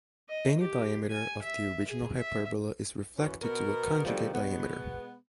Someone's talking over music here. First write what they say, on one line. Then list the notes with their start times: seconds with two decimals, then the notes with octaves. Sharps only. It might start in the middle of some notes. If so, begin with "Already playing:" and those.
Any diameter of the original hyperbola is reflected to a conjugate diameter.
0.29 D#5
0.59 G4
1.10 G#5
1.42 E5
1.87 G#4
2.18 E5
3.17 F#2 E3 F#3 C#4
3.41 B2 B3 A#4
4.05 B2 D3 D#3 F3 G3
4.34 B2 G#3 B3